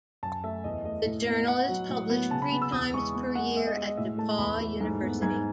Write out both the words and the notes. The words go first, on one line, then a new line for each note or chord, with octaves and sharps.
The journal is published three times per year at DePauw University.
F#2 A5
A3 E5
E2 D#5
A3 D#5
A2
B3
B3 F#5
F#3
A2
B3
C#3 A5
B5
B3
E6
E2 D#6
G#3 C#6
B3
G#3 F#5
B3 E5
D#5
G#3
D#5
A2 E5
A3 A5
E2 B5
A3
G#2
B3
G#2 G#6